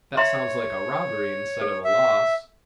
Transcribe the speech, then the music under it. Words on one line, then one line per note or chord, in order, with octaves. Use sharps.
"That sounds like a robbery instead of a loss."
C#5 E5 A#5 C6
A4
E5